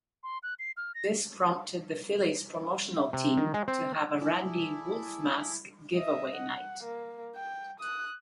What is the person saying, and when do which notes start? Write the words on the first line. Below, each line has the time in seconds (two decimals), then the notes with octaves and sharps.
This prompted the Phillies promotional team to have a Randy Wolf Mask giveaway night.
0.23 C6
0.43 F#6
0.59 C7
0.77 F6
0.95 A#6
2.97 E5
3.13 C3
3.37 D#3
3.54 G#3
3.68 C4
4.22 E4 G#4 A4 D5
5.95 D#5 E5
6.36 F#5
6.83 A#3
7.36 G5
7.80 D#6 F#6